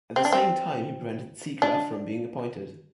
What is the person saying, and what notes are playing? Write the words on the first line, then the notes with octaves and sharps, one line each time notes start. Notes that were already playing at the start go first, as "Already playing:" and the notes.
At the same time, he prevented Ziegler from being appointed.
C4
D4
C4
D4